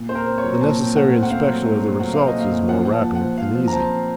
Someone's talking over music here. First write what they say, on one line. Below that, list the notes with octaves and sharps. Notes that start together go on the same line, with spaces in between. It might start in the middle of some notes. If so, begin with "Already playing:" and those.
The necessary inspection of the results is more rapid and easy.
Already playing: A#2
C4 C5
A#4
C4
C#5
F#3
A#2 A5
C4
A3 F#5
C4
F#5
C4 F5
F#3
A3
C4
F#3 F#5
A3 F5
D#5
A#2
F5
A#2
F3 F#5
F3 F#5
A5
F3
F#5
F3
F3 F5
F3
A#5
C4 A5
C4